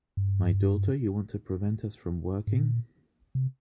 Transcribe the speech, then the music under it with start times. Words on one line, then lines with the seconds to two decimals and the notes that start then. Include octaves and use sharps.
My daughter, you want to prevent us from working ?
0.17 G2
2.47 G#2
2.56 A#2
3.35 C3